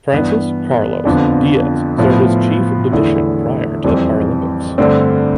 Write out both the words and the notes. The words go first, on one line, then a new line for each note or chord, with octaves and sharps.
Francis Carlos Diaz served as chef de mission prior to the Paralympics.
G2 E3 B3
F2 D3 F3 B3 D4
A2 F3 B3
E2 D3 A3 E4
F2 E3 G3 C4
G2 D3 A3 C4